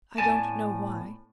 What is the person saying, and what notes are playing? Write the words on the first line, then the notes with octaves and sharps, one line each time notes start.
I don't know why.
A2 B3 C#4 D5 G#5 A5